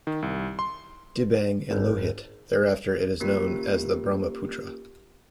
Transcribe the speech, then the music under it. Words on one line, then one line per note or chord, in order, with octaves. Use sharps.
"Dibang" and "Lohit"; thereafter, it is known as the "Brahmaputra".
D#3
C2
C6
G#1
A#3 C#4 F4 G4 A#4